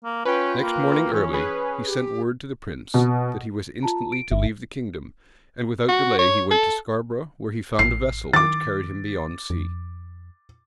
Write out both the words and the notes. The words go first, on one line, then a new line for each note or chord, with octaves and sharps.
Next morning early, he sent word to the prince, that he was instantly to leave the kingdom; and without delay, he went to Scarborough, where he found a vessel, which carried him beyond sea.
A#3
C#4 F4 B4 G5
A#3
E3 C#4
G#4 B4
G4
B2
F4 A5 A#5
D7
G1 E5
F#4
C#5
A4
A1 C7
D#3 D6 A6
F2